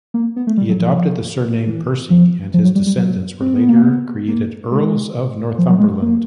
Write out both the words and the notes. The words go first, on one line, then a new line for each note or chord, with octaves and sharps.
He adopted the surname Percy and his descendants were later created Earls of Northumberland.
A#3
B3
A3
G3
F#3
F3
E3
F3
F3
F#3
G3
G3
F#3
C4
B3
A#3
B3
A#3
G#3
F3
F#3
G#3
A#3